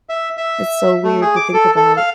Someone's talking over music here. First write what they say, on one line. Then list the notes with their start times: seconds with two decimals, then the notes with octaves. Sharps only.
It's so weird to think about.
0.09 E5
0.37 E5
1.04 A3
1.21 G#4
1.36 D6
1.54 A4
1.76 A4
1.97 F5